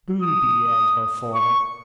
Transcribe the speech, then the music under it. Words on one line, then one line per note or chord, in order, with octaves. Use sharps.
"Booby!" yelled her father.
D#6
C#6